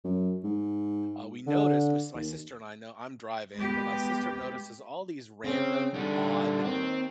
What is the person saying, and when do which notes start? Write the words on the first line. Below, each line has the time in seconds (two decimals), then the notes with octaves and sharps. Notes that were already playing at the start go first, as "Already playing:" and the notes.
uh, we noticed my sis my sister and I no I'm driving, but my sister notices all these random, odd
0.04 F#2
0.44 G#2
1.47 D3
2.14 D#2
3.56 G#3 B3 G4
5.44 C#3 C4
5.94 D3 G3 D#4
6.64 D#2 C4